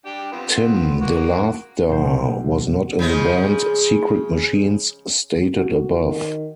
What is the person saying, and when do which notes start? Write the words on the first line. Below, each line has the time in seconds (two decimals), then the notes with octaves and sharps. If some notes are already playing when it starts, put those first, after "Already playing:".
Tim DeLaughter was not in the band Secret Machines stated above.
0.06 D4 G4 G5
0.32 F3 B3 C4
1.01 A#3 F#4
1.89 B1 B2 C5
2.99 C#3 F3 G#3
5.55 F#4
6.00 D#3